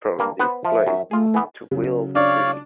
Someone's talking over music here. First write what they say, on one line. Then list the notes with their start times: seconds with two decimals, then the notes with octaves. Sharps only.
From this place to Will-Tree.
0.19 G2 A#3
0.39 B3 B4 C5
0.65 F3 E5
0.87 F#2
1.11 A3 F4 G#4
1.34 E3 B3
1.71 C#3 F#3
2.15 D4 C#5 D5 F5